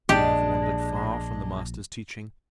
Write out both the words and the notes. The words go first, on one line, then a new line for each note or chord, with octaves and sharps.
We have wandered far from the Master's teaching.
A#1 G#3 D4 G4